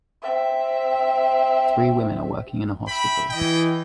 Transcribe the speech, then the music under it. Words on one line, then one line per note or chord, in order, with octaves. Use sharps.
Three women are working in a hospital.
C4 E5
E5 G5 B5
E3 D#5 G5